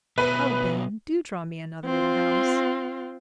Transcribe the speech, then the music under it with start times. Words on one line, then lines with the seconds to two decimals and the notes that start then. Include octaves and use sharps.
"Oh, Ben, do draw me another little house!"
0.18 B2 A4 B4 E5
1.85 C4 F4